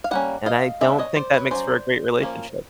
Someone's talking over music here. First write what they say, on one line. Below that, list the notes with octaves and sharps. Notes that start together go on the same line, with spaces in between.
and I don't think that makes for a great relationship.
F5
G3 A#3 C#4 F#5
D#5 F5
G#3 B3 D4 D5 E5
C#5 D#5
C5 D5
B4 C#5
F#3 A3 C#4 C5 D5
F3 A#3 C#4